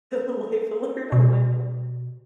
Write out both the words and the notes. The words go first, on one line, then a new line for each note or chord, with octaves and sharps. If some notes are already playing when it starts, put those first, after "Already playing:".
Life alert on my phone.
B2